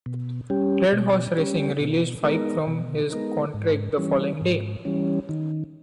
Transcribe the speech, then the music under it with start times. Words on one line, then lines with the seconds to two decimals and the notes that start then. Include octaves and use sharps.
Red Horse Racing released Fike from his contract the following day.
0.06 B2
0.50 G3 C#4 G4
0.93 B2
1.37 G3 C#4 G4
1.81 B2
2.23 G#3 B3 D#4 A#4
2.67 B2
3.11 G#3 B3 D#4 A#4
3.54 G#2
3.98 E3 G3 C#4
4.41 G#2
4.85 E3 G3 C#4
5.29 D#3